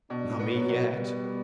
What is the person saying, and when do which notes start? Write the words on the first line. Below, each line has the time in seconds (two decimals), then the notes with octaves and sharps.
Not me, yet.
0.10 B2 D4
0.39 B3
0.53 F#3
0.69 B2
0.97 G3 B3
1.25 B3